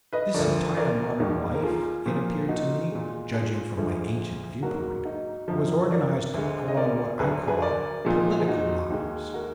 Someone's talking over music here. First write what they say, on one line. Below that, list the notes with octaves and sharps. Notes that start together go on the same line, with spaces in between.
This entire modern life, it appeared to me, judging from my ancient viewpoint, was organized along what I called "political" lines.
B4 D#5
D2 D3 F3 A#4 D5
A#4 D5
D#2 D#3 G#3
A#4
F4 G#4
A#2 F3 A#3
D#4 F#4
A#2 G#3
F4 G#4
D2 D3 F3 G#3
G#2 F#3 A#3 F#4 A#4
D#4 F#4
F#2 D3 F3
A#4 D5
D2 D3 G#3
D#5
A#4 D5
D2 D3 F#3 G#4 B4
G#4 B4
A#4 D5
A#2 F3 G#3
G#4
D#4 F#4
D#2 D#3 G#3
F#4 A#4